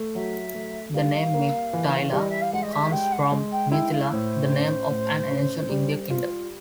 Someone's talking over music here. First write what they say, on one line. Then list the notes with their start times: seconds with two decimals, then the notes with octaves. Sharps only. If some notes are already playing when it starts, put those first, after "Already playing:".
The name Meiktila comes from Mithila, the name of an ancient Indian kingdom.
Already playing: A3
0.15 F#3 E5
0.54 A3
0.94 G3 F5
1.34 A#3
1.73 E3
2.13 G3
2.18 D#5
2.30 E5
2.41 F5
2.53 G#3 F#5
2.63 D#5
2.73 E5
2.92 G#3 G5
3.12 F#5
3.32 G#3
3.52 G5
3.72 E4 G5
3.92 F5
4.11 A2 C5
4.52 C#4
4.90 A2
5.31 C#4
5.69 G3
6.10 F4